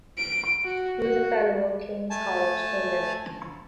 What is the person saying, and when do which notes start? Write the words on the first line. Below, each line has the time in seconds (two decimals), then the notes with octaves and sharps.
He was a fellow of King's College, Cambridge.
0.18 D7
0.64 F#4
1.00 F#4
2.10 A3 G#5 A5